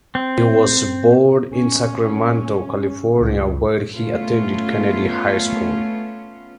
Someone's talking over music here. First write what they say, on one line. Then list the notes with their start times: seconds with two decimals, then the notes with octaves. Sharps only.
He was born in Sacramento, California, where he attended Kennedy High School.
0.15 C4
1.53 C#4
3.17 C#2
3.91 A3 B3 C#4 F4